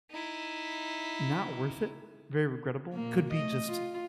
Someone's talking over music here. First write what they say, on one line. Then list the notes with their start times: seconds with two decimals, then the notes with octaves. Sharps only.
not worth it, very regrettable." Could be just
0.11 D#4 E4
2.93 A#2 A#3
3.33 A3 D#5
3.65 F4